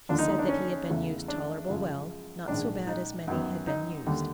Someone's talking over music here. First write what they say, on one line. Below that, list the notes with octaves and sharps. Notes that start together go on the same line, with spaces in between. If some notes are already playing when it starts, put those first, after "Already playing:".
He said that he had been used tolerable well, not so bad as many had been used.
D#2 D3 F3 D4
D#4
D#4
D4
C#4
E2 C#3 E3 A3
D4
F#2 C#3 F3 G#3
A#1 G#2 D#3 D4
D#4
F#2 D#3 F#3 B3
D#4
D#2 D3 G3